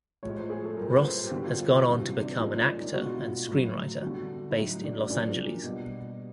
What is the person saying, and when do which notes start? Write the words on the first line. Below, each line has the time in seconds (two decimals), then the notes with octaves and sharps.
Ross has gone on to become an actor and screenwriter, based in Los Angeles.
0.23 A2 F3 G#3 C#5
0.37 C5
0.50 G#4
0.64 A4
0.77 A#2 G3 A#4
0.87 C5
0.91 B4
1.04 C5
1.17 C5
1.25 G4
1.31 D3 G3 F#4
1.45 F4
1.58 F4
1.72 F4
1.85 C3 E3 G3 F#4
2.04 F4
2.21 D4
2.39 A#2 F3 G#3 D#4
2.53 C#4
2.67 D4
2.80 D#4
2.93 B2 G#3 F#4
3.03 F4
3.14 E4
3.24 F4
3.47 A2 F#3
4.02 D3 G3 F#4
4.50 E4
4.56 A2 F#3 D#4
4.84 D4
5.10 A#2 F#3 D4
5.64 B2 G3